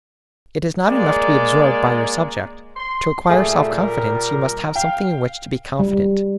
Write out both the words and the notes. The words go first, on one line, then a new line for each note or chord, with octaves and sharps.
It is not enough to be absorbed by your subject--to acquire self-confidence you must have something in which to be confident.
G#3 A#3 D5
C6
A#2 G3 A3 G#4
A#4
F5 G5
G3